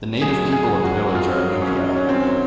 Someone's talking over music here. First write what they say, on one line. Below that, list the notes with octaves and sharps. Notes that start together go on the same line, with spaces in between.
The native people of the village are Inupiat.
F#2 D#3 F#3 G#4
G#4
F#4
F4
C#4
C#4
C4